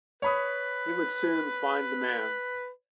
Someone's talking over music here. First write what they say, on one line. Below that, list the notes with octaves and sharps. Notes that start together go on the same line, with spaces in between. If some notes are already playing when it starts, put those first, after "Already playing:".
He would soon find the man.
B4 C#5 B5 D#6